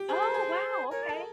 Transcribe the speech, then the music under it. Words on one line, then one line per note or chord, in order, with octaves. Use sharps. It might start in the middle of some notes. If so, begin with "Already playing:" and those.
Oh, wow. Okay.
Already playing: G4
G#4 C5
A4
G#4
A#4 C#5
D5
A4 D#5